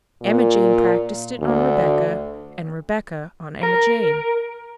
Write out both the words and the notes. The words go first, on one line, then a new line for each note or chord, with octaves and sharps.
Emma Jane practiced it on Rebecca, and Rebecca on Emma Jane.
A#2
D2
A#4